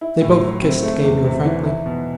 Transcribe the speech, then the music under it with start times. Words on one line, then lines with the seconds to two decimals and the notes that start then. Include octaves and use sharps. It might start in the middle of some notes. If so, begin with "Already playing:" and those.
They both kissed Gabriel frankly.
0.01 E4
0.21 A2
0.42 F#3
0.62 C4
0.83 A3
1.04 E2
1.24 C3
1.45 E3
1.65 E4
1.86 B2